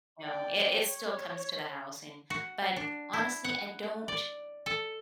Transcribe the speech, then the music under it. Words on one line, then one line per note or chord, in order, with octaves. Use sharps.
you know, it it still comes to the house, and but, honestly, I don't
D5 G5
C#5
F#4
D4
E4
F#5
D5
A4